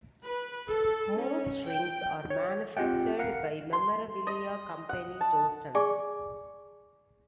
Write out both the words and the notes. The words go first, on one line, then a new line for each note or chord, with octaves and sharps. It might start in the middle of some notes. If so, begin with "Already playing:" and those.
Most rings are manufactured by memorabilia company Jostens.
B4
A4
C#4
G5
C#5
C4 F4 G4 F#5 G5
A#4 F5 F#5
C6
D#5
F#5
A5
G#4 D5 G#5 C#6 D6